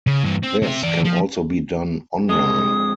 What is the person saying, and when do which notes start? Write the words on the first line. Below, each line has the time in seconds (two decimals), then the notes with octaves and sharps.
This can also be done online.
0.07 C#3
0.24 G2 E3
0.43 C4
0.63 C3 E5
0.83 E3 D5
1.05 F3
2.29 F2 G#3 D#6